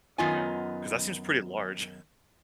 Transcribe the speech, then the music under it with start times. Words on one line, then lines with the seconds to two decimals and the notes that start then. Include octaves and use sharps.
Okay, 'cause that seems pretty large.
0.18 F#2 D#3 B3 F4 D#5 G#5